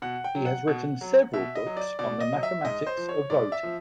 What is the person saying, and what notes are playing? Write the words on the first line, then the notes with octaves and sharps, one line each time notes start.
He has written several books on the mathematics of voting.
B2 F#5
G5
F#3
F#5
B2
F#3
B2 E5
D#5
F#3
D5
B2 D5
D#5
F#3
E5
G#2 D#5
C5
F3
C#5
G#2 D5
E5
F3